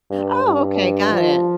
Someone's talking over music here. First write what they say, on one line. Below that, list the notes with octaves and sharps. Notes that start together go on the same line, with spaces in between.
Oh, okay, got it.
G2
G2
F3